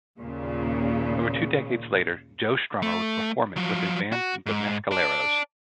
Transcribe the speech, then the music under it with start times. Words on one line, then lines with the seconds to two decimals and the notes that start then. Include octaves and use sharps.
Over two decades later, Joe Strummer would perform it with his band the Mescaleros.
0.19 D#2 A#2 C#3
2.82 A3
3.56 F3 F#3
4.12 F#4
4.46 G#2
4.92 D5 A5